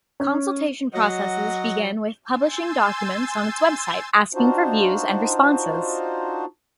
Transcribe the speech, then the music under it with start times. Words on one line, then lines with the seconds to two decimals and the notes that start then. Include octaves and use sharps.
Consultation processes begin with publishing documents on its website, asking for views and responses.
0.20 C#4
0.93 F#3 D#5 F#5
2.28 G#5 C6 E6 G6 A6
4.34 D4 D#4 F4 F#4 C5